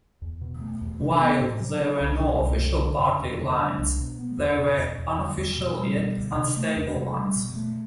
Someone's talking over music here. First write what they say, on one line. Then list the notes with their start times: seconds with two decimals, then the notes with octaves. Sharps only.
While there were no official party lines, there were unofficial yet unstable ones.
0.22 E2
0.41 B2
0.61 A3
0.81 E2
1.01 C3
1.21 B3
1.41 A2
1.60 F#3
1.80 D4
2.00 C2
2.20 B2
2.40 C2
2.59 F#2
2.80 D3
2.99 F#2
3.19 E2
3.39 D3
3.59 D4
3.79 C2
3.99 B2
4.19 B3
4.38 E2
4.58 B2
4.78 E2
4.98 E2
5.18 D3
5.37 E2
5.57 B2
5.78 G3
5.97 B2
6.17 D2
6.36 C3
6.57 A3
6.76 E2
6.96 C3
7.16 G3
7.36 B2
7.56 A3